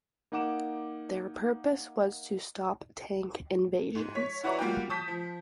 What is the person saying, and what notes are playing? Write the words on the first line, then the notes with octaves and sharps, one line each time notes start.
Their purpose was to stop tank invasions.
A#3 D#4 F#5 D6 E7
G#2
C#5 B6
E4 F#4 B4 C#5 D5 A#5
G3 A#3 F4 F#4 G5
A5 D#6 G6 B6
F3